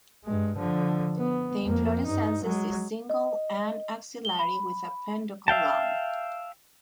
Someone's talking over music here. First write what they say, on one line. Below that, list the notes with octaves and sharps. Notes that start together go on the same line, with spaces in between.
The inflorescences is single and axillary with a peduncle long.
G2 G#3
D3 F3
B3
F2 A#3
G2 D#4
F#3 G#3
D#5
G7
B5
E5 F5 G5 A5